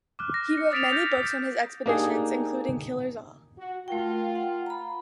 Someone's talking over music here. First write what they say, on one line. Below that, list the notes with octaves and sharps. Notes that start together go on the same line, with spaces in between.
He wrote many books on his expeditions, including Killers All!
D6 F6 F#6
A#6
C#7
D#6 A6 B6 D7 E7 F7
F6 G6 A#6 C7
A#6
A#3 D4 D#4 G4 G#4
F#4
A3 F4 A#4 G5
F#5
A#5 B5